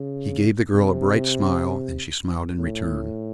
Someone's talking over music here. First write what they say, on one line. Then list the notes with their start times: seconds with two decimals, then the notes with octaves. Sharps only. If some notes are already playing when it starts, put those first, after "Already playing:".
He gave the girl a bright smile and she smiled in return.
Already playing: C#3
0.73 C3
2.59 A2